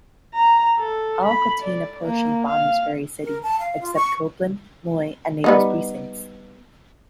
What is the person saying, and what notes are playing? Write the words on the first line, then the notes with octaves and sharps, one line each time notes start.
All contain a portion of Bonners Ferry City except Copeland, Moyie, and Naples precincts.
A#5
A4
B5
D5
A#3
F5
A#4
A5
F5
F4
C#6
G3 B3 D#4